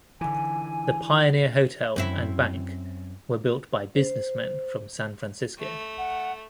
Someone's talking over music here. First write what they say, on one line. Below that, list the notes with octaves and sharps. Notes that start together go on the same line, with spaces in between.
The Pioneer Hotel and Bank were built by businessmen from San Francisco.
D3 E3 G#5
F#2 C4 E4
C5
A3
F#5